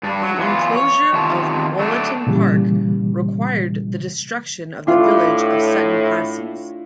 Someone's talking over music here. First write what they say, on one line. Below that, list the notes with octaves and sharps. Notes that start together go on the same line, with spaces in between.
The enclosure of Wollaton Park required the destruction of the village of Sutton Passeys.
G2 D4
F#3
E2 E3 F4
C#5
E2 C3 D#3 F4 A5
F#3 A3 D4
A#2 C#3 E3 G3
A2 D4 E4 F4